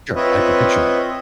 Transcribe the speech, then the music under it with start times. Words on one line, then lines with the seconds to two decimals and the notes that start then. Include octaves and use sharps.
Sure, I can picture it.
0.16 C4 F4 B4 C#5 D#5 E5